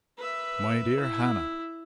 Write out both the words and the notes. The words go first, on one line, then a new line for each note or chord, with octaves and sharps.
"My dear Hannah!"
B4 E5
E4